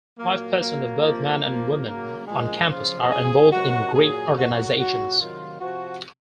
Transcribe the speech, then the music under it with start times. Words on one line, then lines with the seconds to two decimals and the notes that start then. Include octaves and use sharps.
Five percent of both men and women on campus are involved in Greek organizations.
0.18 A#2 F#3 A#3
0.60 A#2 F#3 A#3
1.02 C3 F3
1.43 A#2 F3 A#3
1.86 C#3 F#3 A#3
2.27 A#2 F3 G#3
2.69 C#3 F3 F4
3.10 C#3 F3 G#4
3.52 C3 D#3 F#3 F#4
3.94 A#2 F#3 G#4
4.36 A#2 F#3 F#4
4.78 A#2 F#3 F#4
5.19 C3 D#3 F#3 F4
5.61 C3 F3 F#4